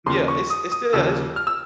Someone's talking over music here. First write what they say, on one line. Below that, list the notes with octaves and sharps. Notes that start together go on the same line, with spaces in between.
Yeah, it's it's still it's
D#2 C#3 F3 C6
C#6
D#6
D#6
D#2 C#3 F3 E6
F6
E6